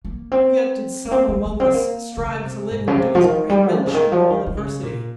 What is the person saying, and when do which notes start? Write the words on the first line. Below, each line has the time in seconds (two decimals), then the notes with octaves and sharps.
Yet did some among us strive to live and do as brave men should in all adversity.
0.05 A#3
0.32 C4
1.05 A#3
1.11 C4
1.28 A#3
1.46 A#3
1.60 C4
1.74 A#3
2.17 C#3
2.43 C3
2.71 G#2
2.87 C#3
2.97 C3
3.15 F3
3.24 D#3
3.49 G3
3.77 C3
3.87 C#3
3.94 D#3
4.12 F3
4.30 D#3
4.46 D#3
4.57 C#3
4.83 A#2